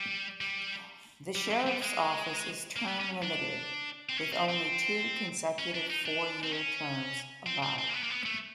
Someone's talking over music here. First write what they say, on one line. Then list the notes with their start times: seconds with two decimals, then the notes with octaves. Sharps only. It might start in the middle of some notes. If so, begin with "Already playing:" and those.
The Sheriff's office is term limited with only two consecutive four year terms allowed.
Already playing: G3
0.41 G3
1.35 G3
1.50 F#3
1.66 G3
1.82 G#3
2.76 A#3
2.88 B3
3.00 C#4
3.23 D4
4.09 C4
4.17 C#4
4.32 C4
4.49 C4
5.58 C#4
5.74 D4
5.90 D#4
6.05 D4
6.43 C4
6.53 C#4
7.46 C4
7.63 C4
7.78 C4
7.89 A#3
7.94 B3
8.03 A#3
8.10 B3
8.25 A3